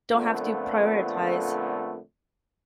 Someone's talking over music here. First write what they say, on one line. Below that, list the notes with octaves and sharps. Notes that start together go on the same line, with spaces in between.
don't have to prioritize.
F2 A#2 D3 A3 B3